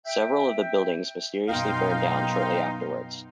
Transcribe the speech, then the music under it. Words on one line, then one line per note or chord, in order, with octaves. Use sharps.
Several of the buildings mysteriously burned down shortly afterwards.
E5 G5
F#2 B2 B3 D#4 F5 G5 C6